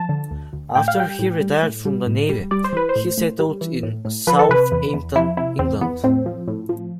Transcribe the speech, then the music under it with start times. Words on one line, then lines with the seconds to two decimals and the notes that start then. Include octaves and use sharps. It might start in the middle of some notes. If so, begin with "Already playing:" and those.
After he retired from the Navy, he settled in Southampton, England.
Already playing: F3 A5
0.09 D3
0.31 D2
0.53 D2
0.75 A2 G5
0.88 F5
0.97 G3 G5
1.19 A2
1.40 G3
1.63 A2
1.85 G3
2.07 A2
2.29 G3
2.51 G3 D5
2.64 C5
2.73 E3 B4
2.89 C5
2.96 A2
3.17 A2
3.39 G3
3.61 E3
3.83 A2
4.05 A2
4.27 F3 B4
4.39 A4
4.49 C3 B4
4.72 E2
4.93 E2
5.16 F3 E4
5.37 C3 E4
5.59 E2 C4
5.81 E2 B3
6.04 A2 C4
6.26 F3
6.48 A2
6.69 F3